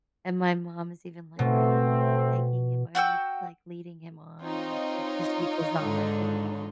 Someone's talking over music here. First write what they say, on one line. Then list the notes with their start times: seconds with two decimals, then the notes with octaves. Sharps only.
and my mom is even like, "Are you, like, m egging him are you, like, leading him on? Like to" 'cause she does not like him at all.
1.39 B2 A3 C4
2.95 F#4 F#5 G5 E6
4.42 C4 D#4 F4 C#5
5.80 G#2 D3 D4